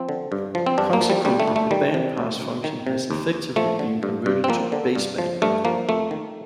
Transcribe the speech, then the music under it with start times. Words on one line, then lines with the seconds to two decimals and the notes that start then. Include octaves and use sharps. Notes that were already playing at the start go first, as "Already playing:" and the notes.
Consequently, the bandpass function has effectively been converted to baseband.
Already playing: F3 C4
0.09 D3
0.32 G2
0.55 F3
0.66 C4
0.78 G2 D4
0.93 A#3
1.01 F3
1.10 G3
1.25 D2 G3
1.40 A3
1.47 D2
1.56 A3
1.71 D#3 G3
1.94 C3
2.17 D2
2.41 D2
2.64 D#3
2.87 C3
3.11 D#2
3.33 D#2
3.56 F3 A3
3.79 D3
4.03 G2
4.26 G2
4.44 C4
4.48 F3 A#3
4.72 D3
4.95 G2
5.18 F3
5.42 G2 A3
5.65 F3 A#3
5.89 F2 A3
6.11 D#3